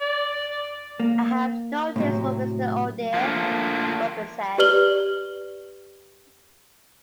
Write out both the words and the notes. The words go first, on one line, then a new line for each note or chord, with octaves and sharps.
"I have no tears for Mr. Odeh," Rubin said.
D5
A#3
A2 C3 F#3
F3 A3 A#3 D4
G4 B4 D5 F6 F#7 G7